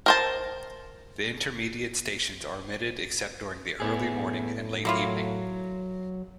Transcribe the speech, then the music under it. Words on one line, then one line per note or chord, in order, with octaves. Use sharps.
The intermediate stations are omitted except during the early morning and late evening.
A#4 C5 A5
A2 B3 G#4
F#3 A#3 E4 F4